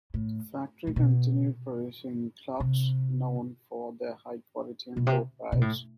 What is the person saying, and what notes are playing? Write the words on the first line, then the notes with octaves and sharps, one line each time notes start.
The factory continued producing clocks, known for their high quality and low price.
A2
A2
B2
C3
B2
C3
B2
A2